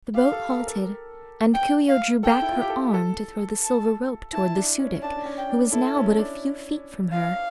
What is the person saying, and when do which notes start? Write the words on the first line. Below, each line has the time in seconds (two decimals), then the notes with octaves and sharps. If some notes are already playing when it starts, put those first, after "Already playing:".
The boat halted and Coo-ee-oh drew back her arm to throw the silver rope toward the Su-dic, who was now but a few feet from her.
0.15 G4 F5
0.33 A4
0.50 A4
0.60 A#4
0.67 A4
0.84 A#4
1.54 G5
1.88 F5
2.23 A4 G5
2.42 E4
2.51 F4
2.61 G4
2.70 A4
2.94 A4
3.63 A5
4.33 E4 A5
4.56 D4
4.79 C#4
5.02 D4 A5
5.17 D4
5.25 C#4
5.37 G5
5.50 D4
5.72 E4 A4
5.96 C#4
6.18 D4
7.12 F5